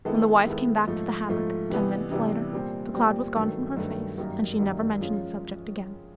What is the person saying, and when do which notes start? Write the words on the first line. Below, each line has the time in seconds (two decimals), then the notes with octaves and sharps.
When the Wife came back to the hammock, ten minutes later, the cloud was gone from her face, and she never mentioned the subject again.
0.05 D#3 G#3 B3 E4 A4
0.46 D#3 G#3 B3 E4 A4
0.87 G#2 F3 A3
1.29 G#2 F3 A3
1.70 C3 E3 G3 B3
2.11 C3 E3 G3 B3
2.52 A#2 G3 C4
2.94 A#2 G3 C4
3.35 G2 D#3 F#3 A3
3.76 G2 D#3 F#3 A3
4.18 F#2 D#3 G3 A#3
4.59 F#2 D#3 G3 A#3
5.01 F3 G#3 C#4 F4